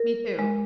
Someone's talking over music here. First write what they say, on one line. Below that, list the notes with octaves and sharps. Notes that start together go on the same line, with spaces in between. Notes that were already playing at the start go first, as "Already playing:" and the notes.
Me too.
Already playing: A#4
G#3